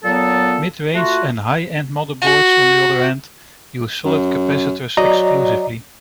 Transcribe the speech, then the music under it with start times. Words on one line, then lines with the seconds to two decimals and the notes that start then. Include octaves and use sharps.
Mid-range and high-end motherboards on the other hand use solid capacitors exclusively.
0.04 A#2 F#3 B3 A4
0.94 A3 F4 F#4
2.22 F#4
4.05 F#2
4.97 F#3 D5 D#5 A#5